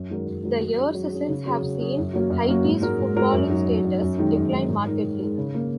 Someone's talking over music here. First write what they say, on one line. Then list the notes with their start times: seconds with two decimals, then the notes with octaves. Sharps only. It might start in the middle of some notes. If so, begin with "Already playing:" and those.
The years since have seen Haiti's footballing status decline markedly.
Already playing: F#2
0.10 D#3 G#3 F#4 A#4
0.27 F#2
0.43 D#3 G#3 F#4 A#4
0.60 F#3
0.78 C#4 G#4
0.95 F#3
1.12 C#4 G#4
1.29 C#3
1.46 F#3 C#4 G#4
1.62 C#3
1.80 F#3 C#4 G#4
1.97 F#2
2.13 F#3 A#3 C#4 F#4
2.30 F#2
2.48 F#3 A#3 C#4 F#4
2.64 G#2
2.81 G#3 F#4 A#4
2.99 G#2
3.17 G#3 F#4 A#4
3.32 F#2
3.50 F#3 D#4
3.68 F#2
3.84 F#3 D#4
4.02 F#2
4.18 D#3 G#3 D#4
4.36 F#2
4.52 D#3 G#3 D#4
4.69 G#2
4.86 G#3 D#4 A#4
5.03 G#2
5.20 G#3 D#4 A#4
5.38 C#3
5.54 A#3 C#4 A#4